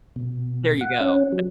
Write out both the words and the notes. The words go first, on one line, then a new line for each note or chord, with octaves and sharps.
There you go.
B2
F#5
C#4
F#3